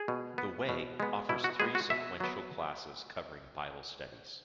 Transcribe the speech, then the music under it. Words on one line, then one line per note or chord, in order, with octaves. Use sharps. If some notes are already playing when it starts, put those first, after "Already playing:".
The Way offers three sequential classes covering bible studies.
Already playing: G#4
B2
B3
B2
G#3 B3
B2 E4
F#4
G#3 B3 G#4
F#4
B2 E5
F#3 B3